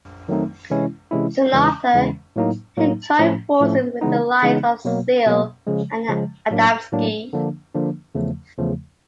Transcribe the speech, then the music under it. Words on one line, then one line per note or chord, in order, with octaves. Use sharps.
Soon after, he joined forces with the likes of Seal and Adamski.
D#3 F#3 A3 C4 D#4
C3 E3 G#3 C#4 E4
C3 E3 G#3 C#4 E4
E2 C#3 E3 G#3 C#4
E2 C#3 E3 G#3 C#4
A2 F#3 A#3 D#4
A2 F#3 A#3 D#4
A2 F3 A3 C#4
A2 F3 A3 C#4
C#3 E3 G#3 B3 D#4
C#3 E3 G#3 B3 D#4
B2 F#3 A#3
B2 F#3 A#3
C#3 F3 G#3
C#3 F3 G#3
A2 F#3 A#3 D4
A2 F#3 A#3 D4
D3 F3 A#3 D4
D3 F3 A#3 D4
E2 C#3 F3 A3
E2 C#3 F3 A3